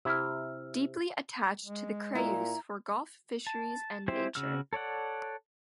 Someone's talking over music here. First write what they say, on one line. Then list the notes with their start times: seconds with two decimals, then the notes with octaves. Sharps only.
Deeply attached to the Creuse for Golf Fisheries and nature.
0.05 C3 E4 E6 F6
1.66 G#3
2.15 A#2 E4 A#5
3.47 A5
4.08 G#3 C4 E4 G4 C5
4.35 C#3 F#4 E6 F6
4.73 A4 C#5 D5 F#5